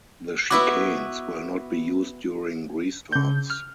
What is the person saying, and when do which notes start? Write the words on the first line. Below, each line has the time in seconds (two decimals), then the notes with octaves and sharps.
The chicanes will not be used during restarts.
0.50 B3 E4 F#4 D6
3.12 C#3 G6
3.50 F6